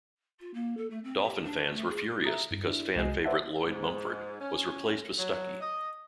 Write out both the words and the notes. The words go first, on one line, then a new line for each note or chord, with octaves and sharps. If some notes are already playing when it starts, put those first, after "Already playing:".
Dolphin fans were furious because fan favorite Lloyd Mumphord was replaced with Stuckey.
F4
A#3
A4
A3
C4
G4
D4
A3
G#4
E5 A#5 D#6
G2
D4 E4
C2 G#3 F#4 D#5 G#5 C7
B4 C5 D5 E5 F#5 A5
G#2
C#4
F#3
D#5